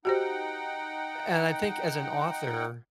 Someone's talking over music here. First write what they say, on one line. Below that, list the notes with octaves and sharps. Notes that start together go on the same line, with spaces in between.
and I think as an author
D#4 F#4 G4 C5 F#5 G5